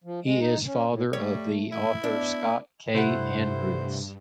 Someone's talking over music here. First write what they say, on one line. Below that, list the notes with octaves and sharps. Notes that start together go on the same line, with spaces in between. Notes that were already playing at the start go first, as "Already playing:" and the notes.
He is father of the author Scott K. Andrews.
F3
G#3
D#4
C#4
A2
G3 A3 C#5
E4
B3 D4
G2 C3 A3 E4 C5 F#5